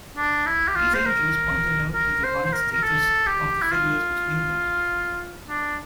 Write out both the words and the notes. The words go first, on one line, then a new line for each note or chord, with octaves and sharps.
These angels pointed out the divine status of the figures between them.
D4
E4
G4
F4
C5
A#4
A#4
C5
C5
A#4
A#4
A4
G4
E4
F4
D4